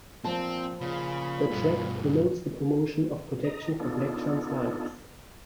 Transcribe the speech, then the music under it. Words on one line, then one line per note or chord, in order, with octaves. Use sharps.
The track promotes the promotion of protection for black trans lives.
A#2 F3 C4 A5
A#2 C#3 B5
G2 B2
D#5 A#5
B3 D4 D#4 F4 A4